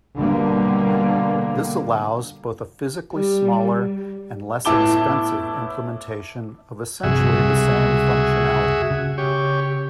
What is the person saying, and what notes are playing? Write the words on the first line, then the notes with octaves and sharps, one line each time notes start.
This allows both a physically smaller and less-expensive implementation of essentially the same functionality.
B2 D3 G3 A#3
G3
A2 B3 E4 A5 D6 G7
A#1 G2 C3 F#4 G#4 E5
C#2 C3 G3
C#3
G4 C#5